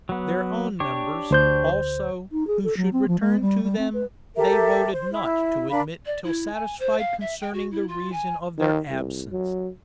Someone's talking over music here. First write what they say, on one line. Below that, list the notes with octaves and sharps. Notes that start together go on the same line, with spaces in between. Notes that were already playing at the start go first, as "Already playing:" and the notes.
Their own members, also, who should return to them, they voted not to admit till satisfied concerning the reason of their absence.
F#3 B3
D4 G4 C#5
D2 C5 G6
D#4
G#4
A4
F#3
C4
F3
G#3
G3
G3
C4
B4
G4 A4 A#4 E5
C5
E4
D4 A#4 F5 B5
D5
E4
G#5
C5
F5
E5
G5
F#4
E4
F4
G#5
D#3
C2
F#3